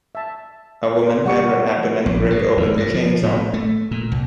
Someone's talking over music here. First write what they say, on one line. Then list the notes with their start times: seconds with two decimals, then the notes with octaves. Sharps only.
A woman had her abdomen ripped open with a chainsaw.
0.15 E5 A5
0.98 A#3 F4
1.26 G3 D5 F#5 C#6 C#7
2.06 A#1
2.30 G#2
2.57 D#2
2.77 G2
2.94 F3
3.23 A2
3.54 A3
3.91 A#2
4.12 C2